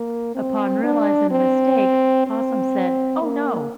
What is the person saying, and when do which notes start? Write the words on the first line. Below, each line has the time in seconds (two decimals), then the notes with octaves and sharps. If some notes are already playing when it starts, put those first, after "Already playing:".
Upon realising the mistake Fossum said: Oh no!
Already playing: A#3
0.35 C4
0.83 D4
1.31 C4
2.27 C4
3.22 A#3